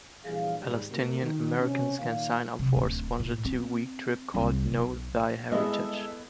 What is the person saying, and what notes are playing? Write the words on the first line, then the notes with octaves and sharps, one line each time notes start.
Palestinian-Americans can sign up for a sponsored two-week trip called Know Thy Heritage.
A#1 E3 G3 G#4 F5
D#2 G#2 D#3 G3
C3 A3 A#3 F#4 A#4
D#3
C3 C#4
A#2 D#3 A#3 F5
C3
D1
A2
C4
C2
B1
G#3 B3 E4 A4 D#5 E5